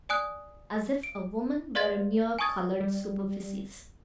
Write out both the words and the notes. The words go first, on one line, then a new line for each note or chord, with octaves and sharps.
As if a woman were a mere colored superficies!
D5 G#5 D#6 F#6
D7
B4 D5 F5 C6 G#6 A6
G#5 A5 C#6 D#6 G#6 A6
G3